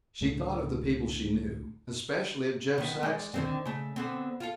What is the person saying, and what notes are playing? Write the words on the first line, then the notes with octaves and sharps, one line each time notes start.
She thought of the people she knew, especially of Jeff Saxton.
C#2 A2 D3 A3
D#3 B3
G#3 D5
D3 D#3 C4
C#3 A3
D3 B3 C4
F4 A4